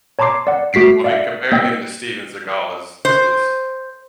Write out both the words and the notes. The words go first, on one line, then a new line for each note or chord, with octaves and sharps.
Well I mean, comparing him to Steven Seagal is is
C#5 A5 A#5 C6 D6 C7
D5 F#5
A3 F#4 B6 C7 D7
D5 E5 F5
A#3 D#5 G5 E6
C5